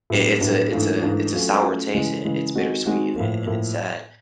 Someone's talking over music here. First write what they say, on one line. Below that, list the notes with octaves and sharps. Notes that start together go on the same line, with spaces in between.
i it's a it's a it's a sour taste. I it's bittersweet, and and and it's sad.
A2 F#3 B3 D4 G4
A2 F#3 B3 D4 G4
G#2 E3 A3 D4 F4
G#2 E3 A3 D4 F4
F#3 A3 C#4 F4
F#3 A3 C#4 F4
C#3 E3 G#3
C#3 E3 G#3
D#3 G#3 C4 D#4 F#4
D#3 G#3 C4 D#4 F#4
A2 F3 A#3
A2 F3 A#3